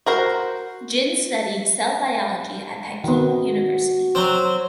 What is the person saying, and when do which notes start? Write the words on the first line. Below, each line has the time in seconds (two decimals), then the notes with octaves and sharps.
Jin studied cell biology at the Peking University.
0.06 F#4 A#4 C5
3.04 D#3 B3 F#4
4.15 F#3 C4